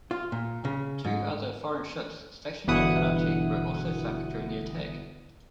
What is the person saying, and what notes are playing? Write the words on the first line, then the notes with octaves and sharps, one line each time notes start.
Two other foreign ships stationed in Karachi were also sunk during the attack.
F4
A#2
C#3
G#2
G1 B2 E3 E4 F#5 D#6